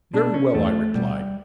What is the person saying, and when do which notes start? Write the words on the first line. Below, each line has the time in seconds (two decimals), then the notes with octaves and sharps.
"Very well," I replied.
0.14 B2 D4
0.34 C#4
0.54 E2 A3
0.95 B2 G3